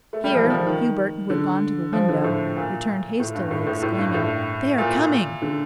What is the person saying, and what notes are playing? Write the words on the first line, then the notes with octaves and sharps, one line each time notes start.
Here Hubert, who had gone to the window, returned hastily, exclaiming, "They are coming!"
A3
G3
F3
D#3
F3
D#3
D3
F3
D3
A2
A#2
A2
G2
A2
A2
A2
G2
A2
A#2
D3